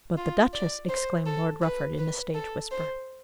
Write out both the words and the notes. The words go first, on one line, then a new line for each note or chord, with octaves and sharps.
"But the Duchess?" exclaimed Lord Rufford in a stage whisper.
F4
D5
C5
A4
B4
B4
A4
C5